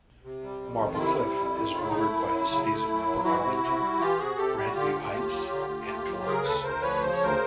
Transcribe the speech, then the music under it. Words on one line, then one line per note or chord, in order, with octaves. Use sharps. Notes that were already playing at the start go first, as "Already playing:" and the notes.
Marble Cliff is bordered by the cities of Upper Arlington, Grandview Heights, and Columbus.
C3
G3
F2
D#3
F4
C3 E4
G3
F2
D#3
C#3 F4
E4
D#4
A3 E4
F#2
F#3
C#3
A3
F#2
F#3
E3 E4 F#4
C3
C3
G3
E3 F4 G4
C3 F#4 G#4
C3 G4 A4
G3 G4
F#4
D3 F4 G4
A3
D#2
F#3
D3
A3
D#2
F#3
C#3 G#4 A#4
D2 A4 B4
D2 A#4 C5
F3 B4 C#5
C#3 C5
C#5
D2 A#4 C5